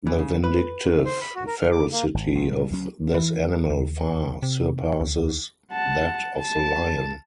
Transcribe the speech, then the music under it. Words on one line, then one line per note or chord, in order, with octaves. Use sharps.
The vindictive ferocity of this animal far surpasses that of the lion.
E3
C#3
B4
C5
B5
F#4
A#4
F6
D6
A#3
G#1
B1 G2
A#2 G3
D2 F#3 C#4
E3
D#2
C3
D2
F#5 A5
A5